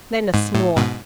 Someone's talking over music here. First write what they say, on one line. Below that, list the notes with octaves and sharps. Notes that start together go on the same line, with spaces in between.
Then a snort.
G#2
A2
G#2 B2